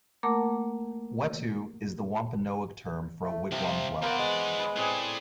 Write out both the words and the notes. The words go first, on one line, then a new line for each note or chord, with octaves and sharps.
"Wetu" is the Wampanoag term for a wigwam dwelling.
A3 A#3 A#4 F#5 A5 D6
A3
C2 C3 F3
E2 A#3 B3 C5 D5 F#5
G#3
B4 D#5
A2 C4 G#4 D5